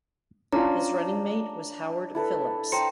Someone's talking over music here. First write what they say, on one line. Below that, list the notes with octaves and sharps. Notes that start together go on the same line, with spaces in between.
His running-mate was Howard Phillips.
C#4 D4 F4 A#5
E4 A4 B4
C5 G5 A#5 C#7